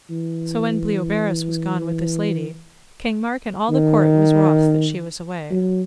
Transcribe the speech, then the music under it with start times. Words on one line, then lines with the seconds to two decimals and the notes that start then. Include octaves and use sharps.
So when Bleoberis was gone with this lady, King Mark and all the court was wroth that she was away.
0.10 E3
3.70 D#3
5.51 F#3